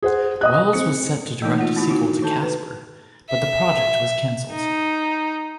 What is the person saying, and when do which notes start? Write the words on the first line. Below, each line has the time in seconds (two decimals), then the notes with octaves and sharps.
Wells was set to direct a sequel to "Casper", but the project was cancelled.
0.03 G#4 C5 F#5
0.41 G4 D#5 D#6 F#6
0.73 C4 C#7
1.42 E3 A3 A#3 D#4 C#5
1.58 F4 C#5 F#5
1.76 B3 D4 E4 F#4
1.88 D#3 B3 D#4 F#4
2.23 D#3 A4 A5
2.43 B4
3.30 E5
4.51 D#4